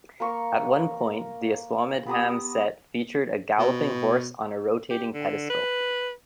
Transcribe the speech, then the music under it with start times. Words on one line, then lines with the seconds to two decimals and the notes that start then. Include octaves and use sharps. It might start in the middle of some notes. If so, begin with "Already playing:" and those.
At one point, the "Aswamedham" set featured a galloping horse on a rotating pedestal.
0.20 A#3 A#4 C#6
2.06 B3 G4 A#5 D#6
3.59 B2
4.90 G4
5.14 D3
5.50 B4